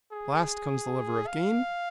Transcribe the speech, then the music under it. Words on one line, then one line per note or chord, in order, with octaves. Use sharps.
Last comes the lover of gain?
G#4
F5